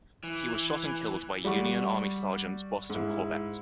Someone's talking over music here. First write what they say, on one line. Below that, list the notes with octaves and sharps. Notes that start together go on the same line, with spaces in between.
He was shot and killed by Union Army Sergeant Boston Corbett.
E3
G3 F#5 C#6
G#2 E4